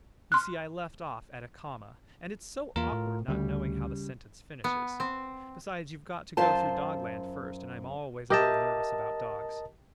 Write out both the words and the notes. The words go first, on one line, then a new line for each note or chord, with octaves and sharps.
You see I left off at a comma, and it's so awkward not knowing how the sentence finishes! Besides, you've got to go through Dogland first, and I'm always a little nervous about dogs.
C6 F6 F#6
E2 A#3 F4 A#4
A2
D2 C#3 G3
B3
C4
F#2 F4 C5 A5
G4 A#4 D#5 E5 A5